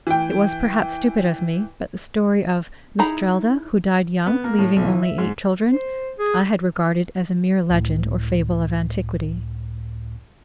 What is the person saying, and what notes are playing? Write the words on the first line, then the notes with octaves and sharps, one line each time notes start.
It was perhaps stupid of me, but the story of Mistrelde, who died young, leaving only eight children, I had regarded as a mere legend or fable of antiquity.
E3 G5
D#4 E4 G#4 A#5 B5
B3
A#3
A2
B1
E3
E5
G#2
C5
G#4
C#2 A2